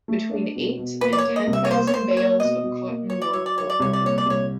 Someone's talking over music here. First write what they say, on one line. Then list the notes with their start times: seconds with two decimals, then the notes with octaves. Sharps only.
Between eight and ten thousand bales of cotton were collected.
0.08 A3
0.31 D4
0.56 B2
0.77 B2
1.01 A#3 B4
1.13 D5
1.18 C#5
1.25 A#3
1.36 D#5
1.47 C2
1.53 E5
1.65 C#5
1.71 A#3 C5
1.87 C#5
1.94 A#3 C5
2.17 A#3 C#5
2.40 B2 D#5
2.64 B2
2.87 A#3
3.09 F#3 C#5
3.22 D5
3.33 F#3 C#5
3.46 D5
3.57 F#3 C#5
3.70 D5
3.80 C2 C#5
3.93 D5
4.02 A#2 C#5
4.18 D5
4.26 C2 C#5